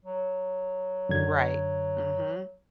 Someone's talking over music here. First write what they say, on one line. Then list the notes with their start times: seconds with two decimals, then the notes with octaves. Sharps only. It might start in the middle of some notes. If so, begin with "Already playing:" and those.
Right. Mhm.
0.05 F#3
1.09 F#2 D3 G#6